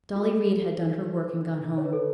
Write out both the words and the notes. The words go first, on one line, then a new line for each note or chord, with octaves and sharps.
Dolly Reid had done her work and gone home.
F#4
A4
C#5
B4
A4